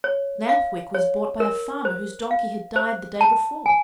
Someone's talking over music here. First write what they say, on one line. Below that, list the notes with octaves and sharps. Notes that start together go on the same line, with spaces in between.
Lamp-Wick was bought by a farmer whose donkey had died the day before.
C#5
F5
C#5
A#4
C5
F5
C5
A5
G#5